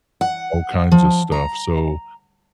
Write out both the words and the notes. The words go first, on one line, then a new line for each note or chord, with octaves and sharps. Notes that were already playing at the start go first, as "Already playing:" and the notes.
all kinds of stuff, so,
F#5
F3
A#5